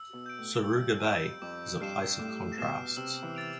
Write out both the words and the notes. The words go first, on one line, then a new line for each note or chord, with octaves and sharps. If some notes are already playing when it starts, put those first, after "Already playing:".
Suruga Bay is a place of contrasts.
Already playing: E6
B2
G6 D7
A2
G2 E6
F2 G6 D7
F2 D6
G2 F6 C7 E7
A2 D6
B2 F6 C7 E7
C3 E6
E3
A6 D7 F7